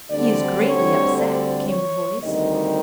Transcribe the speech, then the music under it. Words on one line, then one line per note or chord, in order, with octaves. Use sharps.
"He's greatly upset," came the voice.
D2 D3 G3 C4 D5
C#5
D5
C#5
D2 C3 D#3 G3 D#5